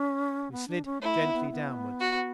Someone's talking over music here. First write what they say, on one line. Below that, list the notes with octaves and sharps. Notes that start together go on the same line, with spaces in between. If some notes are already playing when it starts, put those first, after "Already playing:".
We slid gently downward.
Already playing: C#4
B3
D4
C#4
A3 E4
B3
B3
B3
F#4